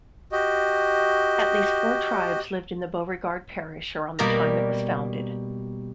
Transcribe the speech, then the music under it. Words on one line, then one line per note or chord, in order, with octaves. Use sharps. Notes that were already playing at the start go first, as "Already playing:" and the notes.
At least four tribes lived in Beauregard Parish around the time it was founded.
F#4 G4 D#5
B2 G3 A#3 D5 F5 A#5